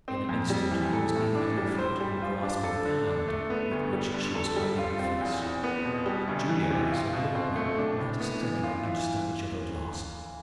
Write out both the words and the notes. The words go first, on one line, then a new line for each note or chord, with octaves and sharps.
In an instant he was kneeling at her feet, and grasping at the hand with which she was hiding her face. "Julia," he said, "look at me; let us at any rate understand each other at last."
C4
F2
G3
E3
A4
A2
D4
G3
C5
G3
F4
D4
A4
D3
D4
A3
B3
D2
G3
D3
A4
G3
F4
C4
E2
E2
B3
B2
G3
D2
E3
C3
F4
B2
C4
A3
D4
A2
B3
E3
F4
E3